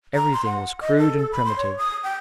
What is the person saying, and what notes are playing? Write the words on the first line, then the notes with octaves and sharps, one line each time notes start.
Everything was crude and primitive.
A#5
C6
F#5
D#5
A4
A4
B5
C6
C#5
D#6
G5